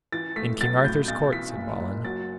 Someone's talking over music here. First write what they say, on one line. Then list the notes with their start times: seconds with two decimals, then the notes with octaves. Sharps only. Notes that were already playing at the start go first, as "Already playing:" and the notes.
In King Arthur's court, said Balin.
0.12 E3 A6
0.36 A3 B6
0.60 F#3 A6
0.84 A2 G6
1.08 B1 A6
1.32 E3 B6
1.56 F#1
1.80 F#1
2.04 F#3 A6